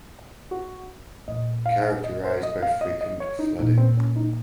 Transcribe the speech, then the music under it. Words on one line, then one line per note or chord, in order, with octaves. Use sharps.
Characterized by frequent flooding.
F#4
A#2 D#5
F5
D#5
C5
D#5
F5
D#5
D#5
C#5
D#4
A#2 D#4
C4
C#4
D#4